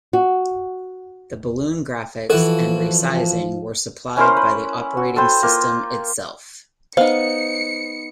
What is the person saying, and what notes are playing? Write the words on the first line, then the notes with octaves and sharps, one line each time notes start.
The balloon graphics and resizing were supplied by the operating system itself.
F#4
E3 F3 F#4 A4
C#4 E4 A#4 C5
B4
F#4
A4 B4 C5 G5
A#3 F4
B3 D#4 C5 F5 C#7